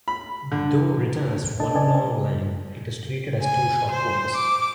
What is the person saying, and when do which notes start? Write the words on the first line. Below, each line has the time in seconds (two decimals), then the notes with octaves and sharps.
Though written as one long line, it is treated as two short ones.
0.08 B5
0.52 D3
1.60 D4 D#5 A5
1.76 B4 D5 D#5 G#5 A5
3.41 G#5
3.91 C5
4.35 D6